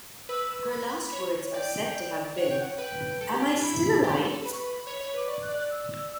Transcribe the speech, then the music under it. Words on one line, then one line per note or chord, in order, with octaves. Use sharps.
Her last words are said to have been Am I still alive?
B4 E6
B5
C#5
D5 G5
C#5 F#5
G5
F#5
B4 G5
A4
G4
D4
E4 B5
G4
A4
B4 B5
C#6
B5
C#5
C#5
B4 D6
D5 C#6
F#6
D5
F#6
E6